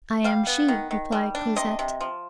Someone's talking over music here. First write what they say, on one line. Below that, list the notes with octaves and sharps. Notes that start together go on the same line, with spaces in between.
"I am she," replied Cosette.
G3 F5
B3
D#3
D#3
G3
D4
C3 D#5
C3
F3